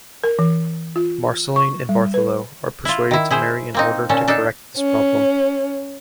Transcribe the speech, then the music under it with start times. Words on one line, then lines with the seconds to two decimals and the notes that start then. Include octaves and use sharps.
Marceline and Bartholo are persuaded to marry in order to correct this problem.
0.24 A#4
0.39 E3
0.96 F4
1.56 C#6
1.89 G3
2.14 B4
2.85 E4 F4
3.11 D#3 E4
3.31 E4 G#4 C5
3.74 A#3 C4 D#4
4.09 A#2 C#4 A4
4.28 D4 D#4 A4
4.76 C#4